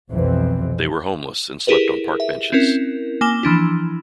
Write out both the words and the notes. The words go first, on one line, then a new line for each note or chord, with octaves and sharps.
They were homeless and slept on park benches.
B1 F2 C3 E3 C4
E4 G4 G#4 A#4 B4
E5
C4 C#4 E4 A#4
A#3 G#5 D6 E7 G7
E3 F3 D4 E4